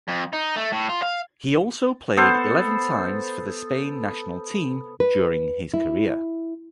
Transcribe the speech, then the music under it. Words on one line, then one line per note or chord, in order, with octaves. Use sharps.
He also played eleven times for the Spain national team during his career.
F2
D#4
A3
A2
F4
F5
B3 A4 C5
B4
E4